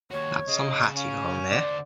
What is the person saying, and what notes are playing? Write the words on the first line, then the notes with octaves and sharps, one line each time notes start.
That's some hat you got on there.
D#2 F#4 C#5
C#3 D#5
C#4 F5
D3 C5 D5